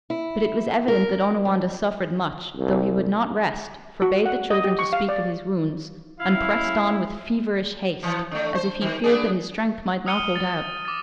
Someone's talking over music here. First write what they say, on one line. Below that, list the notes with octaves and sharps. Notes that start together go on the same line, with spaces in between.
But it was evident that Onawandah suffered much, though he would not rest, forbade the children to speak of his wounds, and pressed on with feverish haste, as if he feared that his strength might not hold out.
E4
A#4
F2
C2
F#4
F#5
D#5
G4
C#6
F5
D5
C#4 E4 F5
E3 F3
D3 A3
C5
D#3
B3 D4 G#4
D#6 F6 C#7 D#7 F7 G7
A6
D6 A6